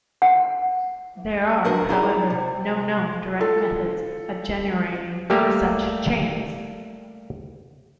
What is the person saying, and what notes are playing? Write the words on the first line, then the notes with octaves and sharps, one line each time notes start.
There are, however, no known direct methods of generating such chains.
F#5
D4 F#4 A#4 B4 D#5
D#4 E4 G#4 C#5 D5
C3
F4 A4
G3 A3 A#3 G4 F5